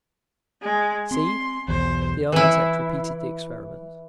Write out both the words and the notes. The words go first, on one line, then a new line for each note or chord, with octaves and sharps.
"See?" The architect repeated the experiment.
G#3
C4 C6
B1 E2 C5
E3 E4